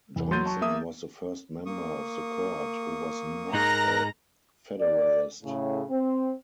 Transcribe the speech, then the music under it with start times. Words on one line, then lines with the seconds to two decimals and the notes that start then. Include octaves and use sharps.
Johnson was the first member of the Court who was not a Federalist.
0.16 E2
0.31 F#3 C6 G6 A6 D#7
0.46 A5 C#6
0.61 A#3 E5 D#6
1.66 A#3 C#6 D#6
3.53 G#2 D#4 G#4 A#4 A#5 F#6 A#6
4.79 D5
5.43 A2 C#3
5.89 C4